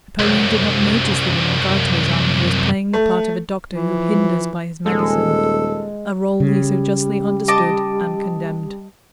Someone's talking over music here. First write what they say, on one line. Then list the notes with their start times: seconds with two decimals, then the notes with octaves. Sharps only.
Napoleon did not notice that in regard to his army he was playing the part of a doctor who hinders by his medicines--a role he so justly understood and condemned.
0.19 C2 F#2
2.93 A3
3.73 E3 F3
4.86 D#1 G#3 A4
6.40 C#3 G3
7.48 D#5 A5 D6